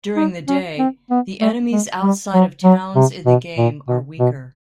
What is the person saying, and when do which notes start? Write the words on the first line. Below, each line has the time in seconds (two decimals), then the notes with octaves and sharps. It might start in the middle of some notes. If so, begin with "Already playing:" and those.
During the day, the enemies outside of towns in the game are weaker.
0.16 D#4
0.48 C#4
0.79 C4
1.10 B3
1.41 A3
1.72 G#3
2.02 G3
2.34 F#3
2.64 F#3
2.96 C3
3.26 B2
3.58 A#2
3.88 B2
4.19 B2